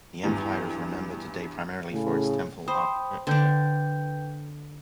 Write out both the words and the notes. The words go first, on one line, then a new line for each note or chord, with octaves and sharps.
The empire is remembered today primarily for its temple architecture.
E2 G2
A2 C#3
C5 G5 B5 D#6
D3 D4 B4 G5 G6